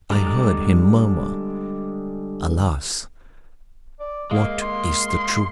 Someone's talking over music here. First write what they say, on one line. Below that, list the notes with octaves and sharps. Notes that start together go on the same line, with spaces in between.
I heard him murmur, "Alas! what is the Truth?"
D3 G3 G#3 D5 A#5
D5
G#3 A#3 F5
C6